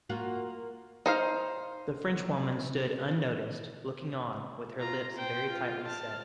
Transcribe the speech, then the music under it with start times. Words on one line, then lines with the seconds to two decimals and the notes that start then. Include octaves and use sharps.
The Frenchwoman stood unnoticed, looking on with her lips very tightly set.
0.10 A#3 F4 F#4
1.06 D#4 C5 F5
4.80 F4 A#5
5.16 C5 G5
5.50 F4
5.86 A5 F6